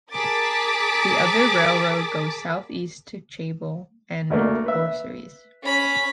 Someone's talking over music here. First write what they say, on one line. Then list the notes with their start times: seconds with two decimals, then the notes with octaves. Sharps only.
The other railroad goes southeast to Chable and Orsieres.
0.13 G#4 A#4 A5 D6 A6 B6
4.30 D2 A3 A#3
4.66 B4 E5
5.63 C#4 B5